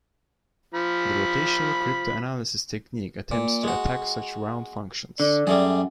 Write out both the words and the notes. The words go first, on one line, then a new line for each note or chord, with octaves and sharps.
The rotational cryptanalysis technique attempts to attack such round functions.
F3 B5
A#2
G#3 F#4
D3 D5
F#2 G3 A3 G#4